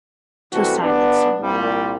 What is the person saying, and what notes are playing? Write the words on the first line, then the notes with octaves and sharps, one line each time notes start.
To silence someone.
C3 E3 G3 A3 F#4 A4
B3 D4
C2 A#2 G3